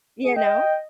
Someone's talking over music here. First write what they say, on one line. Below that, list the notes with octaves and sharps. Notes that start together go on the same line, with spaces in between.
You know?
G#4
D#5 G5